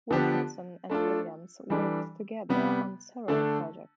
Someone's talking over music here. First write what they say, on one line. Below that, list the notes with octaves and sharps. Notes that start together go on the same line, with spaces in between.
Wilkinson and Williams worked together on several projects.
D3 F3 B3 D4 G4
A3 D4 F4 A4
E3 G3 D4 A4
C3 G3 B3
D3 A3 D4 A4